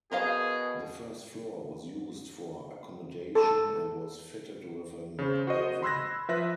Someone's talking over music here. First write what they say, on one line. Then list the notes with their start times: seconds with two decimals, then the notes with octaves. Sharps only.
The first floor was used for accommodation and was fitted with an oven.
0.11 B2 G#4 A#4 C5 F5
3.35 A4
5.19 C#3 C5
5.47 F#4 C5 D#5
5.82 B5 C6 E6 F#6 G#6 A#6
6.29 F3 B4 E5 C6 F#6 A#6